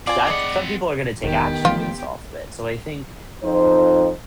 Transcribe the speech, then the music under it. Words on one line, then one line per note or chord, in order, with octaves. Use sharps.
that's some people are going to take action based off of it, so I think
C4 F4 D5 G#5
C4 G#4 D#5 F#5 B5
E1 D#3 B3 G4
E3 F3 A3 F4
F2 D#4 C5